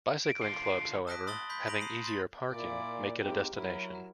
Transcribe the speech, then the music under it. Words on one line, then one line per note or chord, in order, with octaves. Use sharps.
Bicycling clubs, however, having easier parking, make it a destination.
D7
D3 F4
A5 D#6 F#6 A#6 B6 D7
B5 C6 D#6 A6 F#7 G7
B5 C6 G6 B6
A#5 B5 A#6 D7 F7 F#7
D#6 C7 D#7 F#7
C6 A6
A#2 E4 D5
D#2 G#2 C4 G4 A#4
F#3 E4 A#4